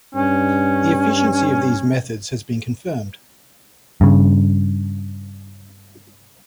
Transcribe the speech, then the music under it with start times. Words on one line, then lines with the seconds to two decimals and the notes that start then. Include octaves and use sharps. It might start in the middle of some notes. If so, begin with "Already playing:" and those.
The efficiency of these methods has been confirmed.
0.15 G2 C#4
4.01 G2 C#3